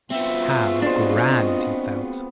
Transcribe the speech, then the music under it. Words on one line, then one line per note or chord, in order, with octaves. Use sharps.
How grand he felt!
B3 C4 F4 F#4 G#4 E5
D4 C5 D#5